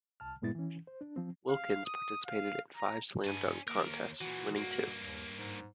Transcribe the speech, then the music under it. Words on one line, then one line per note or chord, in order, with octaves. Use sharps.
Wilkins participated in five slam dunk contests, winning two.
C2 A5 F6
G2 A#2 G#3 B3 E4 A6
E3 C#4
C5
D4
F3 C4
F5
D#6
F5
A#5
G2 D4 G#5
D#2 A#3 A#4
A#2 E3 F#4
G2 A#3
D#2
G#2